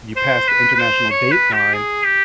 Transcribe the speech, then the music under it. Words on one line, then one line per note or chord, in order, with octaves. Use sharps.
you passed the international dateline,
C5
B4
B4
C5
C#5
B4
G4
G#4
G4